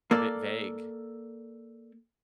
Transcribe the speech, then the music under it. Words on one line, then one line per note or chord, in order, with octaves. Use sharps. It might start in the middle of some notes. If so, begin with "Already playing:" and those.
a bit vague,
A#3 A4 D5